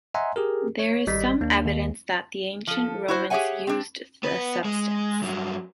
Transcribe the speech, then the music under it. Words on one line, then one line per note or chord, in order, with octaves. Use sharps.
There is some evidence that the ancient Romans used the substance.
D#5 E5 F#5 G#5 A#5 C6
G4 G#4 A#4
C#5
G#1 G3 D#5 B6
D#2 A#3 D4
D#2
F3 A4
E4 F#4 C5
G4 G#4 C#5 E5 F#5 G#5
C4 D4
B3 B4
G#3
G2 F#3